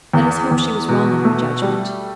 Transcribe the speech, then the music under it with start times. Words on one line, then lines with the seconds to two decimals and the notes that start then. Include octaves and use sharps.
Let us hope she was wrong in her judgement.
0.13 E2
0.51 E2
0.88 B2
1.24 A3
1.62 G3